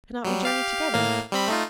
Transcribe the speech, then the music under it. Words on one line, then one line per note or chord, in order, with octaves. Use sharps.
Cannot we journey together?'
F#3 G3
G4 F5
A2 A#3 F5
G3 C4 B5
A3 D#4 F4